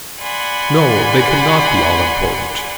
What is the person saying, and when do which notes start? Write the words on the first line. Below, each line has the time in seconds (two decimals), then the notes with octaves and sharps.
"No; they cannot be all-important."
0.21 D5 F#5 G#5 B5 C6